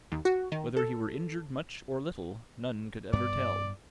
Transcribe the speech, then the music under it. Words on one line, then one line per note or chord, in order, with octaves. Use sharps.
Whether he were injured much or little, none could ever tell.
D#2
F#4
D#3
A4
G2 B3 D5